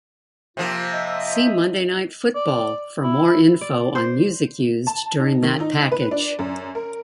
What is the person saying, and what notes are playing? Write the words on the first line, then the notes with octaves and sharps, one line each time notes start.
See "Monday Night Football" for more info on music used during that package.
C3 F3 A#3 F4
D#5 E5
D5
E4
D5
C5
A5
D#4
D#3
D#4
B4
D4
F#2
A#4